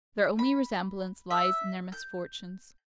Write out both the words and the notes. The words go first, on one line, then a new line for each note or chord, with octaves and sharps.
Their only resemblance lies in their misfortunes.
B5
E5
G6